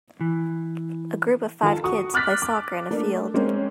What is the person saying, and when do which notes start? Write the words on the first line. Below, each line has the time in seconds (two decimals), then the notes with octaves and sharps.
A group of five kids play soccer in a field.
0.21 E3
1.63 D#3 F4 A4 A5
1.84 F#4 C#6 D#6
2.14 D6 F6 F#6 A6 B6
2.42 D6
2.91 A3 A#3 D4
3.34 G#3 A#3 C4 C#4